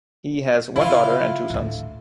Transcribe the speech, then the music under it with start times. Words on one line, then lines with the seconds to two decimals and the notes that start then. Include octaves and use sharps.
He has one daughter and two sons.
0.76 C#3 E4 F4
1.50 D2 A2